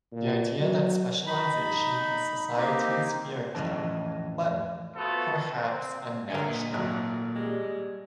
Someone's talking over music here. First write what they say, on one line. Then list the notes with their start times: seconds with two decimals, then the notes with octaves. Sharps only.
The idea that specialization is society's vehicle, but perhaps unnatural.
0.12 A#2
0.60 F#3
1.27 D#4 B5
2.57 A#3 C4 D#4 G4
3.55 F2 A2 E3 C#4 D#5 A5
4.96 A3 B3 C4 F4 F#4 A4
5.51 C4
6.30 D3 D4 A#4 G#5
6.48 A#2 D#5
6.73 G#1 F#3 A3 F#6
7.35 G3 G#3